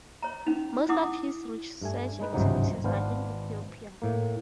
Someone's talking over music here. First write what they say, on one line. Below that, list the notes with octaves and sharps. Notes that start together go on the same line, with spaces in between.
Most of his research activities are in Ethiopia.
C#5 A#5
C#4 D#4
D4 E4 F#5 D6 D#6
G2 A3 G#5
G#3 D#4 B4
G#1 C#2 G2 C3 F#3 D#4
G#1 B3 D4 C5 F5
A2 A#3